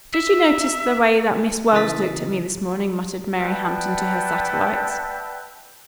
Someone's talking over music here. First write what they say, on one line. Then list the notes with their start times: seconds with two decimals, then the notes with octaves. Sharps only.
"Did you notice the way that Miss Wells looked at me this morning?" muttered Mary Hampton to her satellites.
0.14 E5
1.73 C#3 E3 D#4 D#6 A6 B6
3.41 B4 D5 E5 F#5 G5 A5